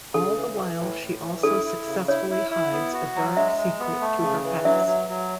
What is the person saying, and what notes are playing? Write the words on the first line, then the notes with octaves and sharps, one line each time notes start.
All the while she also successfully hides a dark secret to her past.
C#3 A4
E3
E3
A2
A2
E3
E4 A4
E4
C#3
E4 C#5
E4
E4
B3
F#4
F#3
G#3 E5
G#3
B3
A3
C#3
E3
F#3 E5
F#3
F#3